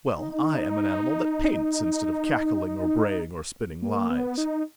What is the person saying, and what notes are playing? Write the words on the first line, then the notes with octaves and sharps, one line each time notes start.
Well, I am an animal that paints instead of cackling, or braying, or spinning lies.
D#4
A#3
B3
D#4